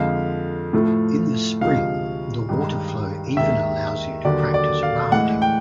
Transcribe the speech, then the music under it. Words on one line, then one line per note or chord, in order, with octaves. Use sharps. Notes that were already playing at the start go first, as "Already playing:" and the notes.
In the spring the water flow even allows you to practice rafting.
Already playing: F2 D3 F3 G#3 F5
A2 F3 A3
D2 C3 F3 G#3 F5
G2 D#3 G#3
D#2 D#3 G#3 E5
D#2 D3 F#3 D5
D5
F5
A2 E3 G#3 F#5
G5